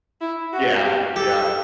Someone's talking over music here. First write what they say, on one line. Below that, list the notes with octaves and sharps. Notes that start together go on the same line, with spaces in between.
Yeah, yeah.
E4
F#4
G4
G4 A4